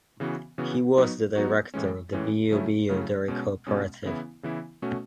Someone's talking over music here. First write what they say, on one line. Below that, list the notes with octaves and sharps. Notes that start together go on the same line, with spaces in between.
He was the director of the Bío Bío Dairy Cooperative.
C#3 E3 B3 F#4
C#3 E3 B3 F#4
F#3 B3 D#4 F#4
F#3 B3 D#4 F#4
A2 E3 G#3 C#4
A2 E3 G#3 C#4
C#3 F#3 A3 C#4 E4
C#3 F#3 A3 C#4 E4
B2 G#3 C#4
B2 G#3 C#4
C#3 E3 B3 E4
C#3 E3 B3 E4
B2 A3 C#4 F#4